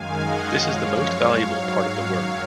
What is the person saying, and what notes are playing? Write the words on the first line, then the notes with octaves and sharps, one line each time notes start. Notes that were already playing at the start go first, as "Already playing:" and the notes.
This is the most valuable part of the work.
Already playing: F#2 D#3 G#3 F5 G#5
D#5 F#5
F#2 F3 G#3 C#5 F5
G#2 F#3 C#5 F5
F#2 D#3 F#3